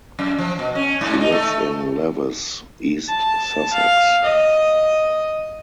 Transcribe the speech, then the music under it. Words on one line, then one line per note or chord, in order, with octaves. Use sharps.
She lives in Lewes, East Sussex.
F#2
F3
B2
C#4
G#2
D#4
A3
A5
F5
D#5